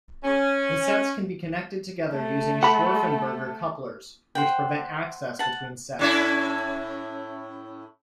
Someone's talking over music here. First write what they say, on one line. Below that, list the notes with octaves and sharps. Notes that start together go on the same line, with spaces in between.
The sets can be connected together using Scharfenberger couplers, which prevent access between sets.
C#4
A3 A4
F#5 B5
C5 F#5 G5
F#5 A5
A2 C#4 E4